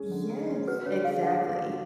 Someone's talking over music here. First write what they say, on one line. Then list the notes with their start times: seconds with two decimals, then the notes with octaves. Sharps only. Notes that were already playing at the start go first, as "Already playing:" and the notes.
Yes, exactly.
Already playing: G#3 C#4 G#4
0.12 D3
0.30 G#3
0.49 C#4
0.67 F#4 B4
0.86 D3 C#5
1.04 G#3 F5
1.23 D4 F#5
1.41 F#4
1.59 D3